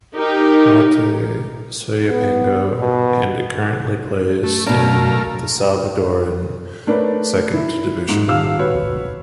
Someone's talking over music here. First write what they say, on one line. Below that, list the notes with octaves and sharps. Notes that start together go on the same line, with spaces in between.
Marte Soyapango and it currently plays in the Salvadoran Second Division.
D#4 G4 A#4
B3
B2
A3
B2 A3 D4 A#4 F5
A3 D4 A#4 B4 C#5
E4
G#2
D#1 F5 E6 F6
F#4 B4 C#5